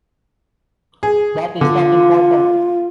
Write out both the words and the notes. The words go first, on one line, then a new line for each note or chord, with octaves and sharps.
That is not important.
G#4
D3 F4